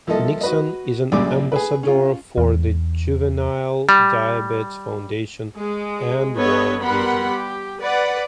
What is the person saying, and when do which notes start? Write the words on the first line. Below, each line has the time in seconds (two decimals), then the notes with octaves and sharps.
Nixon is an ambassador for the Juvenile Diabetes Foundation and World Vision.
0.07 C2 F3 A#3 E4 A4 D#5
0.41 F#4 B4 D#5
1.12 A#1 F#2 A#2 C#3 G3 D6
1.52 G#4 B4
1.83 C#4 F4
2.38 E2
3.89 G3
5.56 G#3
6.36 B3 A4 B4 C#5 D#5
6.81 G3 B3 A#4 F#5 B5 C6
7.30 G4
7.80 B4 D5 F#5